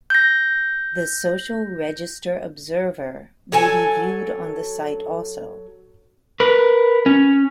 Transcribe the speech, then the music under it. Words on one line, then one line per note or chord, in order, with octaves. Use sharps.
The "Social Register Observer" may be viewed on the site also.
G6 A#6
F#3 A4 G#5
A#4 B4
C#4